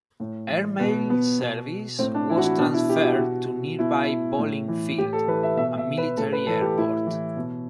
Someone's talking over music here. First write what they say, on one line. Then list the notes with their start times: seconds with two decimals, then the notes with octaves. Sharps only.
Airmail service was transferred to nearby Bolling Field, a military airport.
0.20 A2
0.50 E3
0.79 B2 B3
1.10 B3
1.39 B2
1.99 A2 C4
2.15 D4
2.29 E3 E4
2.37 F#4
2.44 E4
2.59 B2 D4
2.74 E4
2.89 G4
3.04 F#4
3.19 B2
3.79 B2 E4
4.38 A2
4.68 E3
4.98 A2 G4
5.13 A4
5.27 E3 B4
5.43 E5
5.57 B2 E5
5.78 E5
5.98 B4
6.17 A2 A4
6.33 B4
6.47 E3 A4
6.61 G4
6.77 A2 E4
7.07 E3
7.37 B2